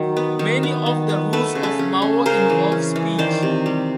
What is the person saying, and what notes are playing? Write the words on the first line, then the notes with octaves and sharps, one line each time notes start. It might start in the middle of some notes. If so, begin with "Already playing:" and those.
Many of the rules of Mao involve speech.
Already playing: D#3 F#3
B3
D#3
B3
D#3
B3
A3 A4 B4
C#3
A4 B4
C#4
C#4
C#3 A#4 C5
E3
C#4
E3
D#3 C5 D5
C3
G3